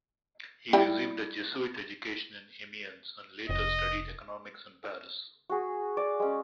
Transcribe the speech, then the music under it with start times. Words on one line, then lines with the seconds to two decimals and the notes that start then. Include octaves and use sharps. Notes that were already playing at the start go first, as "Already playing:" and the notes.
He received a Jesuit education in Amiens and later studied economics in Paris.
0.73 G3 E4 G5
3.49 F1 D#5
5.50 F#4 G#4
5.97 D5
6.20 G#3 C#4